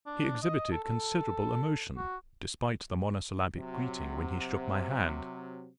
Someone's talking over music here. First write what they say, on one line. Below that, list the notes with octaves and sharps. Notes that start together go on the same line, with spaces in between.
He exhibited considerable emotion, despite the monosyllabic greeting, when he shook my hand.
D4
D#5
A4
A4
F#4
C3 F#3